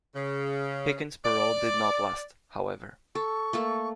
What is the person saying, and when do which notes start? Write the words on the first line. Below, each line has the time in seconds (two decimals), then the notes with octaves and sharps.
Pickens' parole did not last, however.
0.15 C#3
1.24 D5
3.15 A4 C#6
3.53 A3 A#3 A4